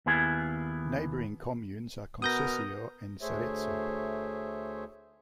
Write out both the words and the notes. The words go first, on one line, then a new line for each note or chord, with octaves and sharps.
Neighbouring communes are Concesio and Sarezzo.
D#2 B3 E4 G#4
B2 B3 A#4 D#6 G6 A#6
D2 A3 G#4 C5 C#5 E5